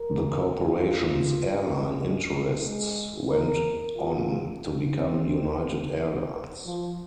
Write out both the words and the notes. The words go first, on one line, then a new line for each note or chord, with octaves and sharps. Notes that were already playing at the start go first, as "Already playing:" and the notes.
The corporation's airline interests went on to become United Airlines.
Already playing: A#4
F4
G#3
G#3
A#4
F4
C4
C4
F3